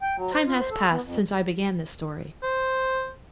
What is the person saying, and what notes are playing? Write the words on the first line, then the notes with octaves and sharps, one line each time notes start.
Time has passed since I began this story.
G5
F#3
C5
F4
C5
A4
B3
F2
C5